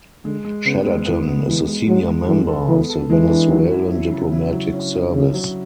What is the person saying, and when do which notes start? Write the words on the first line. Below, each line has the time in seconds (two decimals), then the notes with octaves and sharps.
Chaderton is a senior member of the Venezuelan Diplomatic Service.
0.25 D3 G#3
0.44 G#3
0.65 C#3 B3
0.86 G#3
1.06 E3 B3
1.27 B3
1.47 E3 G#3
1.68 G#3
1.87 F#3 G#3
2.08 G#3
2.28 E3 A4
2.48 A4
2.69 E3 B3
2.90 A4
3.09 E3 G#3
3.31 D4
3.51 F#3
3.71 E4
3.91 E4
4.12 C#3
4.32 E4
4.53 F#3
4.73 C#4
4.94 C#4
5.13 C#3 C#4
5.34 F#3